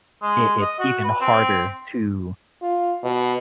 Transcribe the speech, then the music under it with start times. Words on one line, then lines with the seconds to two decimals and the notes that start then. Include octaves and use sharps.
it it's even harder to,
0.22 G#3
0.61 D#5
0.80 F#4
1.04 B4
1.21 C4
2.62 F4
3.03 B2